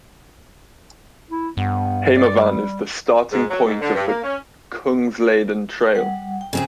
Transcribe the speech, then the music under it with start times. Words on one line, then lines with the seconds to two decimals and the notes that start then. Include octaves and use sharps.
Hemavan is the starting point of the Kungsleden trail.
1.31 E4
1.57 G2 B3
2.17 D5
2.36 G3
3.32 G#2
3.50 F#3
3.66 G#2
3.81 D3
3.95 G2
4.07 A#3
4.24 C#4
5.95 G3 F#5
6.41 G5
6.53 C#3 C4 G#4